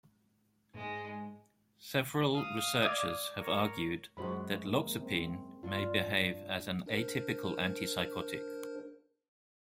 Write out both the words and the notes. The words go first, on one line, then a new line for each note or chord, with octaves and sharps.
Several researchers have argued that loxapine may behave as an atypical antipsychotic.
G#2 G#3
F5 D#6
D5 D6 G#6
A#4 C#5
F#2 G#3 F#4 C5 B5
A#3
C4
G2 D4 F4
D4 A#4 C5